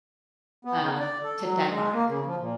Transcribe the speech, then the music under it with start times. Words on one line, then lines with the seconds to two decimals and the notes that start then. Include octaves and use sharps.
um, to Denmark,
0.65 B3
0.80 C#3
0.99 D5
1.23 A4
1.40 F#3
1.67 G#3
1.93 A#3
2.07 C#3
2.26 F3
2.40 A#2